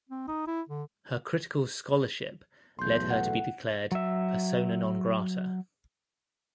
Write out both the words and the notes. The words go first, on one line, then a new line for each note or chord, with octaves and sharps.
Her critical scholarship led her to be declared "persona non grata".
C4
D#4
E4
D3
B1 E2 A3 C6 G6
F#5
F#3 E5